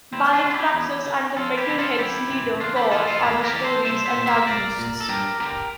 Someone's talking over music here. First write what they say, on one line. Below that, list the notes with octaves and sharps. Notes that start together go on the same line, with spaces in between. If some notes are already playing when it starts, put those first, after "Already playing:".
Baron Praxis and the Metal Heads' leader Kor are the story's antagonists.
E2 C4 E4
D4 F4
D3
E4 G4
E2
D3
F2 F4 A4
E4 G4
C3 E3
F4 A4
F2 E4 G4
C3 E3
E2 D4 F4
E4 G4
E3 F4 A4
F4 A4
E2 E4 G4
G4 A#4
E3 D5
A4 C5
C2 C5 E5
C5 E5
A#2
C5 E5
C2 A#4 D5
A#2
A4
G2 G4 A#4
D3 G4 A#4